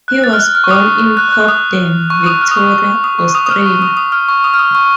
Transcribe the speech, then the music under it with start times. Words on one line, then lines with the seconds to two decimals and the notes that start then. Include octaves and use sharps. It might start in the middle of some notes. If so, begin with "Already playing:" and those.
He was born in Cobden, Victoria, Australia.
0.08 F#6
0.24 A6
0.33 F6
0.39 F#6
0.55 F6
0.64 C#6
0.71 D#6
1.17 F#6
1.32 F#6
1.48 D#6
2.10 C#6
2.26 D#6
2.41 F6
2.51 D#6
2.57 C#6
3.04 D#6
3.19 C#6
3.35 D#6
3.46 D#6
3.50 F6
3.66 C#6
3.82 D#6
3.97 D#6
4.12 F6
4.29 C#6
4.44 D#6
4.54 F6
4.59 D#6
4.75 C#6